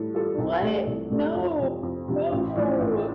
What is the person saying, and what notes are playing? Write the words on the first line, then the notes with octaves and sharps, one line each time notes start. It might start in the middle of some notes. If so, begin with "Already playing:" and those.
What? No. No, no.
Already playing: A2 G3 A4
G3 F4 A4
C2
C3 A3 D4 A4
C2
C3 A3 D4 A4
F2
C3 F3
F2
C3 F3
A1
A2 F3 D4
A1